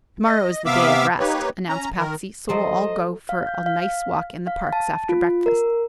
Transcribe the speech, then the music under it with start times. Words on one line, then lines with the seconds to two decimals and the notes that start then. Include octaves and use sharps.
"Tomorrow is the day of rest," announced Patsy, "so we'll all go for a nice walk in the parks after breakfast."
0.25 D#5
0.66 C3 B3 E5 F5 D6 E6
1.19 A#3 D#4 G4 B4 C#5
1.69 C#4 A#5
1.97 D#3 A#4
2.49 F3 F#3 A3 C5 D#5
3.29 F5
3.47 G6
3.66 F5
4.47 F5
4.73 A5
5.09 F4
5.46 A#4